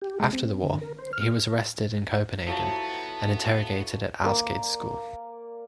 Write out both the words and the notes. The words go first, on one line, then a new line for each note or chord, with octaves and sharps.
After the war, he was arrested in Copenhagen and interrogated at Alsgades School.
G4
G#3
C4
D3
A#4
C5
F6
F3 F#3 B3 E4 A4 A5 B5
A#3 D5 D6